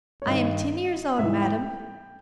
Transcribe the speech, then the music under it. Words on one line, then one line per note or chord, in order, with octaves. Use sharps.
"I am ten years old, madame."
C#5
G2 D#3 D#5
G#2 E3 E5
G5